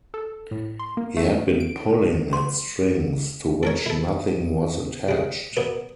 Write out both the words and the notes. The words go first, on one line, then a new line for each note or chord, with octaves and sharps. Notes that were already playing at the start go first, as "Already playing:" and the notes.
He had been pulling at strings to which nothing was attached.
A4
A2
C6
A#3
A3
D7
C6
A4 A#4 C#5
E4 A4
G3 G#3
F#2 A#3 B3